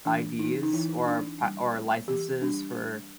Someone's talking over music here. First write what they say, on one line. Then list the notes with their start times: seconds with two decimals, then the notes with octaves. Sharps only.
IDs or pa or licenses for
0.05 E3 D4
0.39 E3 D#4
0.63 D#4
0.73 E3 E4
1.06 C4 D4
1.40 G3
1.74 C4
2.07 E3 G4
2.41 G3 D4
2.76 G3